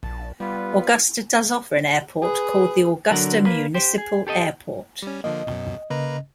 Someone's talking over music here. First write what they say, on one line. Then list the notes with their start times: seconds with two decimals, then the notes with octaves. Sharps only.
Augusta does offer an airport called the Augusta Municipal Airport.
0.03 A#1 A5
0.40 G3 B3 F4 B4
2.22 G#4 B4
3.11 D3 F#3 A#4 F#5
3.46 A#3 B4
3.74 G4 C5
3.98 G#4
4.27 G4 A4 C#5 D#5
5.02 G3 C#4
5.24 D3 F3 A#3 D#5
5.47 F#2 B2
5.90 C#3 A#3 B4 D#5 A#5